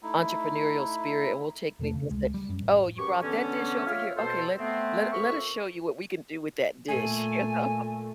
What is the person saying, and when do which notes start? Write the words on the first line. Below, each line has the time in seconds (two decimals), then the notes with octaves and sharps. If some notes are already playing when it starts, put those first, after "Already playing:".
entrepreneurial spirit and we'll take anything and say, "Oh, you brought that dish over here? Okay, let let let us show you what we can do with that dish." You know?
0.03 A3 D#4 E4
1.79 E2 C3 A3
1.94 C#3
2.11 C#2 G#3
2.34 G3
2.49 F#2
2.62 A1
2.98 F#2 E3 G4 C#6
3.22 D3 E3 B3 C#4
3.86 F4 C#5 E5 F6
4.17 B2 A4 C5
4.59 A3 B3 C4
5.12 F2 A#4 E5 C#6
6.88 A#2 A3 G#5